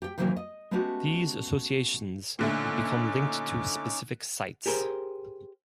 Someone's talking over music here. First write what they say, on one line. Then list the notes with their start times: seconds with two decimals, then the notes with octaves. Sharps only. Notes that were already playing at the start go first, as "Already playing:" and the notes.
These associations have become linked to specific sites.
0.02 G4 G5
0.18 C3 D#3 E3 F#3 A#3 C4
0.37 D#5
0.71 G#3 A3 B3 C#4 F#4 G4
2.39 A#2 D3 A3 C#4 D#4 D6
4.66 G4 G#4 A#4 C5